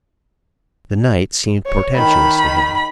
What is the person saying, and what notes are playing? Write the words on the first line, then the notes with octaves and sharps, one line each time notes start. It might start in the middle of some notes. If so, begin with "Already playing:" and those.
The night seemed portentous to him.
C#5
D#3 B5